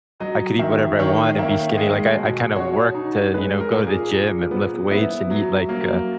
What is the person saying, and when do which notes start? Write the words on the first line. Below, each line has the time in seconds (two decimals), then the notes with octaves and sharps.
I could eat whatever I want and be skinny, like, I I kinda worked to, you know, go to the gym and lift weights and eat, like, uh,
0.20 F#3 D#5
0.59 D#3 E5
0.99 D#3 C#5
1.38 A#3 E5
1.77 G#3 D#5
2.16 B2
2.55 F#4 C#5
2.95 D#4
3.34 G#3 B4
3.60 A#4
3.74 A#2
3.87 G#4
4.13 A#2
4.51 B3
4.91 B3 E4
5.30 F#3
5.69 F#3 A#3